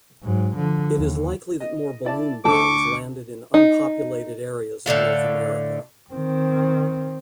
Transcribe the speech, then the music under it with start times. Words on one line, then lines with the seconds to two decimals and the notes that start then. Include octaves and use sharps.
It is likely that more balloon bombs landed in unpopulated areas of North America.
0.23 G#2 F#3
0.56 D3 F3
0.96 D#2
1.60 D#5
2.05 E4 D5 A5
2.45 D2 D3 A4 C#6 D6
3.54 D#4
4.86 A2 D3 A4 F5
6.13 D#3 C4